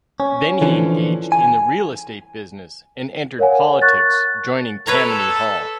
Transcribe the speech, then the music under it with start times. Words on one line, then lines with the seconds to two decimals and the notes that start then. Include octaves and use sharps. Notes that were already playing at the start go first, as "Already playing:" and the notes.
Then he engaged in the real-estate business, and entered politics, joining Tammany Hall.
0.20 C#4
0.62 D3 E3 F3 C#4
1.32 G#5
3.39 A#4 C#5 F5 F#5 G#5
3.81 C#6 F#6 A6
4.87 A4 B4 C#5 A#5